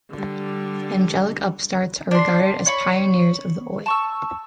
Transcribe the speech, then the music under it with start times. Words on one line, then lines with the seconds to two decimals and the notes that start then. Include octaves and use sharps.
Angelic Upstarts are regarded as pioneers of the Oi!
0.11 D3 G3
2.11 D4 C6
2.66 C#5 B5 C#6
3.86 A5 C#6 E6